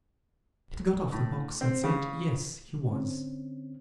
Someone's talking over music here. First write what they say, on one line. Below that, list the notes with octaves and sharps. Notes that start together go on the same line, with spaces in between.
Kit got off the box, and said yes, he was.
A2
C4
C#3
D3 C4 C#4